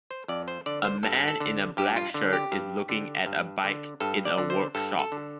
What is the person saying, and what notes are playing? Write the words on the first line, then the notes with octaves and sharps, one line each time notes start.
A man in a black shirt is looking at a bike in a workshop.
C5
F2 D5
C5
D3 D5
C5
G2 A4
A4
D3
G2 G4
F4
D3
G4
G2
D3
G2
D3
G2 A4
D5
D3
C5
G2 A4
A4
D3